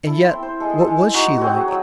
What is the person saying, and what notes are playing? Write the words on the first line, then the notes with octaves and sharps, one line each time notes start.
And yet--what was she like?
E4 A4
C5
C4
C5
G#3 A4
G#4
A4
G#3
D#4 F#4
C4 F#4 G#4
F#3